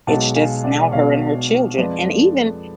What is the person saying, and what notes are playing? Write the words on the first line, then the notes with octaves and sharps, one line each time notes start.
it's just now her and her children. And even m
B1 B2 G#3 F#5 A5
F5 G#5
D5 F#5
B1 B2 G#3 C#5 F5
F2 F3 G#3 B4 D5
A4